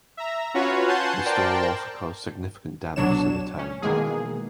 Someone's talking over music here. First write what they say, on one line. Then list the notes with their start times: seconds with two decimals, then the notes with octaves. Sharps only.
The storm also caused significant damage to the town.
0.17 E5 A#5
0.54 C#4 F4 F#4 B4 C#5
0.88 F#5 G#5 A5 C6 G6
1.25 A#4 C5 D5 G5 A5
2.96 C2 B2 F#3 D4 C#5 E7
3.58 C#4
3.82 B2 D#3 E3 G#3 A#3 G#4